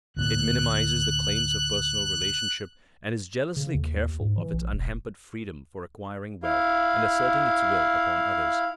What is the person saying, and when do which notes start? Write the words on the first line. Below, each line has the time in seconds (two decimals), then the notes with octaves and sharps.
It minimises the claims of personal relationship and is jealously careful of its unhampered freedom for acquiring wealth and asserting its will upon others.
0.16 D2 A2 A#3 F#6
3.57 C#3
3.75 D#2
4.20 G#2
4.38 E3
4.53 A#1
4.73 E1
6.43 E4 F5